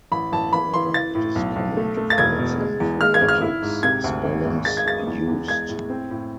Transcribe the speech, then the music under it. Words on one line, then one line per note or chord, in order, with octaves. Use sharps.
However, it is common to find some phonetics spellings used.
A1 B5
A1 A5
E3 B5
E3 C6
E3 A6
A2
B1
B1
A3
A3
A6
E1 G#6
B2
G#3
E2
G#3 F6
G#6
G#1
F6
E4
G#2
C3 G#6
D2
G#1
G#1
G#3 A6
G#6
G#3 A6
E2
E2
G#3 G#6
A2
C4
A2